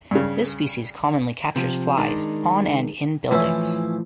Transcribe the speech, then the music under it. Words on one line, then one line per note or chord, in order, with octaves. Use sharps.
This species commonly captures flies on and in buildings.
G2 C#3
C3 F3
D#3 G#3 D4
A2 E3 F3 C#4 E4